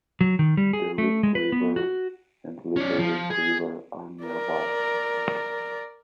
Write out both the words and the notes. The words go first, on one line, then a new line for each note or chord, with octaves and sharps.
The Rib River and Little Rib River are nearby.
F#3
D#3
G3
G#4
A3
G#3
B4
B3
F#4
C#4 D5
F3
G#4
A#4 D5